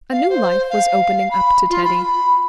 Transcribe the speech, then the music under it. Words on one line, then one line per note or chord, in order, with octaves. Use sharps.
A new life was opening up to Teddy.
F5
C5
F5
B5
F4
B5